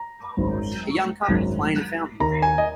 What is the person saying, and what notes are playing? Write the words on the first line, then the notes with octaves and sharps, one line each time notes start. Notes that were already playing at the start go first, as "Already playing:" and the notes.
A young couple play in a fountain.
Already playing: A#5
G#1 F#2 D#3 F#3
G#1 F#2 D#3 F#3
D#2 D#3 A#3 A#5
G#5
D#5